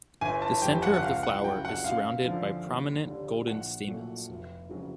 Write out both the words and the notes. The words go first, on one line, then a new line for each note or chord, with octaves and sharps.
The center of the flower is surrounded by prominent golden stamens.
G1 G#5
A5
F2 C3 G5
F#5
F#5
C#2 F5
F#5
C#3 F#3 G5
F#5
F#2 F5
D3 F3
D#2
D3 G3
A#1 F#5
A#2 F#3 A3
F1
F2 C#3 F#3